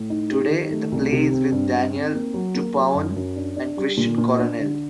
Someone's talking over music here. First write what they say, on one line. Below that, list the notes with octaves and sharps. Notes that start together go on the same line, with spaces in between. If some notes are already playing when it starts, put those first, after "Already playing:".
Today the play is with Daniel Tupauan and Christian Coronel.
Already playing: A2
D#4
G4
D#3
A3
C2
C3
C4
G2
C4
C4
A#3
F#3
A#3
F#3
F#2
F#2
D4
D4
G3
A#2
A#2
D4
D3